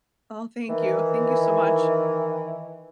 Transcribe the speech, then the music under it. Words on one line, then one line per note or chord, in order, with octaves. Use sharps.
Oh, thank you, thank you so much.
D#3 E3